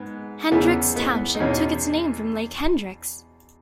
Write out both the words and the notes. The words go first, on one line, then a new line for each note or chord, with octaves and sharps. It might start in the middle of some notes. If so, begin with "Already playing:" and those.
Hendricks Township took its name from Lake Hendricks.
Already playing: G#2 B3
E2 C#3 E3 B3
B3
D#4
E2 B2 C#4